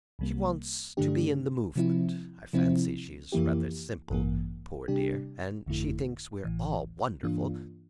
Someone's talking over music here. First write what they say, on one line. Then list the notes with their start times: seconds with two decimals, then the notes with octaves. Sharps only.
She wants to be in the movement. I fancy she's rather simple, poor dear, and she thinks we're all wonderful.
0.19 C2 C3 G3 A#3
0.97 G2 D3 A3 D4 G4
1.76 C3 F3 C4 E4
2.53 C3 F3 C4 E4
3.32 F2 E3 A#3 E4 G4
4.11 A1 G2 E3 A#3
4.88 C3 G3 D4 G4
5.66 G1 F2 D3 A3 E4
6.44 A1 A2 E3
7.23 G2 E3 A#3 D4 F4